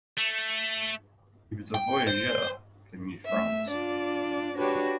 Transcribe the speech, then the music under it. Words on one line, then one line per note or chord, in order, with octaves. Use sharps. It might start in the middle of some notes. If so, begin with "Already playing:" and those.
He was a voyageur for New France.
A3
G5
C5
A3 E5
D4 F4 D5
D4 F#4 G4 B4 C#5